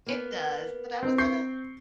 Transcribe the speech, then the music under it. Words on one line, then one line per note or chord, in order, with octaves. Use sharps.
it does, but I was at a
A#3 B3
C4
C#6 G6 C7